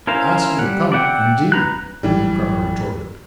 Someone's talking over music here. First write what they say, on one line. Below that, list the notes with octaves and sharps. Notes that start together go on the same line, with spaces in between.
"Asked me to come, indeed!" the newcomer retorted.
C#4 E4 A#4 C5 F5
G3 F#5
D5 E5 F#5 G5
B4 A#5 F#6
A1 E3 F#3 G3